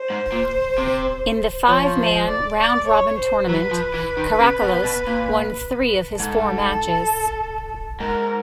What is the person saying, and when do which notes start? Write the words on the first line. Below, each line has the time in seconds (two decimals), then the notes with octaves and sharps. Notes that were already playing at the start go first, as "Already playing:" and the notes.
In the five-man, round-robin tournament, Karakalos won three of his four matches.
Already playing: C5
0.10 G#2
0.32 A#2
0.78 C3
1.67 F3 C#5
1.98 C5
2.28 D5
2.59 D5
2.88 C#5
3.18 C5
3.48 F#3 B4
3.71 F3
3.94 E3
4.17 D#3
4.39 C#3
4.62 B2
4.84 B2
5.07 A#2
6.19 G#2 A4
8.00 G#2 A#4